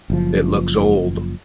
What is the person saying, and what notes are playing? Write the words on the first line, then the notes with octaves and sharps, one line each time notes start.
It looks old.
F#1 F3